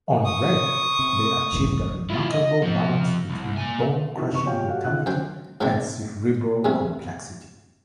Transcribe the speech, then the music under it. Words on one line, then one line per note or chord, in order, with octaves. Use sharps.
On "Red", they achieved a remarkable balance between bone-crushing brutality and cerebral complexity.
C#6 D#6
C3
E1 A1 G2
E4 F4
D#5
F3 C4
C2
A#2 G#5
B3 D#4 E4 F#4 G4
C3 B3 C#6
F4 G4 C#5 F5 G5
F#4 G4 A4 F5 F#5
D#3 F4 F#6
F#2 C5 G5
G#2 D#3 C4 D4 E4
E2 G2 C3 A3